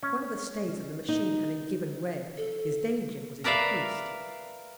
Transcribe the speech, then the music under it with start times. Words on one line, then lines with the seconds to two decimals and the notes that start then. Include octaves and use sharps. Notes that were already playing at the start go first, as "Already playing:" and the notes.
One of the stays of the machine having given way, his danger was increased.
0.03 C#4
1.09 D#4
2.37 A4
3.44 A#4 B4 D5 E5 F5